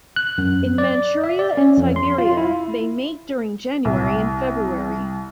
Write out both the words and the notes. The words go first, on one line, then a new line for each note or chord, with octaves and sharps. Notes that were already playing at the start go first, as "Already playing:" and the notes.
In Manchuria and Siberia, they mate during January and February.
F#6
F#2
D5
E5
D5
C#4
F2
C6
F4
E4
C2